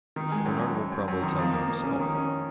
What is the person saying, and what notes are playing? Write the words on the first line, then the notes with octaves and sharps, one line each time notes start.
Bernard will probably tell you himself.
D#3
G#3
F#2
F#2
F#2
F#2
F#2
D#3
F2
A#3
A#3
C#4
D#3
C#4